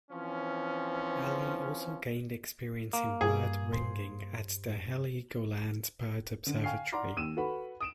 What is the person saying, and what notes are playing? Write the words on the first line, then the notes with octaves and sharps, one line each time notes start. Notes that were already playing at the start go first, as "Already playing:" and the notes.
Ali also gained experience in bird ringing at the Heligoland Bird Observatory.
E3 F3 C4 C#4
A#3
G2 G#4
C5 C6
D3
F5 G5 G#5 C#6 F6 C7
D5 F#5 A#5 C6 D6
D#2 E6 D#7 E7
F#4 A4 B4 F#5 B5
D#6 D7 E7